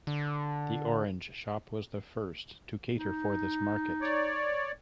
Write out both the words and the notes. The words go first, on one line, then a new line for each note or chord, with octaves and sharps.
The Orange shop was the first to cater for this market.
D3
D#4
C#5 D5